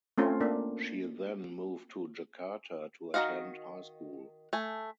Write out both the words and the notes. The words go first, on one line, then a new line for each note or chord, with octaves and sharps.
She then moved to Jakarta to attend high school.
A3 C4 C#4 F4
A#3 D4
D#3 F#3 F#4 D#5 F5
A3 G#5